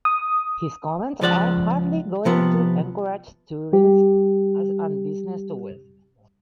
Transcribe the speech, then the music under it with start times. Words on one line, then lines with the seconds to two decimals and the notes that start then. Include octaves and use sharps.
His comments are hardly going to encourage tourism and business to Wales.
0.05 D#6
1.21 C#2 F3 D5 F#5
2.25 C3 F3 B3
3.73 G3 G4